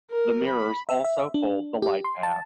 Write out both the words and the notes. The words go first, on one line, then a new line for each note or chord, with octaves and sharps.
The mirrors also fold the light path.
A#4
B5
E5
E5
D4
G4
C6
A5